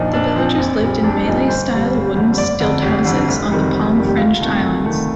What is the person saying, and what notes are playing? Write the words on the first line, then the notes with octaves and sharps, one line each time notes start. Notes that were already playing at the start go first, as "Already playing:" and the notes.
The villagers lived in Malay-style wooden stilt houses on the palm-fringed islands.
Already playing: A#1 A#2 F3 D4 D#4
A#1 D4
A#2 F3 C4
A#1
A#2 G3
A#1 D4
A#2 G3 D#4
G1 C5
F2 D3 G3
G1
F2 D3 G3
G1 D5
F2 D3
G1 G4
F2 D3
F1
F2 C3 D#3 G3
F1
F2 C3 D#3 G3
G4
D2 F4
C3 D#3 A3
D2
C3 D#3 A3